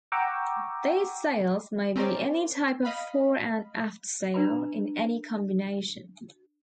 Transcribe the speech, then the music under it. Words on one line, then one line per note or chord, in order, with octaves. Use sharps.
These sails may be any type of fore-and-aft sail, in any combination.
F#5 G5 A#5 C#6 D6 E6
C4 C#4 A#4 C5 D5
D#5 F5 B5
D4 B4 A#5 B5